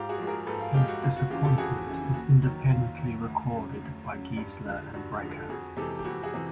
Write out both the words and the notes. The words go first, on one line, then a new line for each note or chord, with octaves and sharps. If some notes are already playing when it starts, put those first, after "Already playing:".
His disappointment is independently recorded by Giesler and Breker.
Already playing: G#2 F4 G4
F#4 G#4
F3 G#3
G#4 A#4
G#2 A4 B4
F4
F3 G#3 F4 G4
F#4
F2 F4
F#4
C#3 E3 F4 G4
G4 A4
F2 F#4 G#4
C#3 E3
D#2 F#4
D#3 F#3
D#2 F4
D#3 F#3
D2
C#3 F#3
D2
C#3 F#3
G2
D3 F3 G#3
G2 F#4
D3 F3 G#3
A4
F2 F#4 G#4
C3 E3 G#3 G4 A4
G4
F2 F#4
F#4 G#4
C3 E3